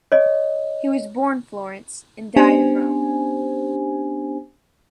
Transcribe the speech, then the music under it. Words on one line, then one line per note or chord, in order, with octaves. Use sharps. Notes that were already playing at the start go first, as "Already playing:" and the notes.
He was born Florence, and died in Rome.
C#5 D#5
B3 C#4 D4 G4 C5 G#5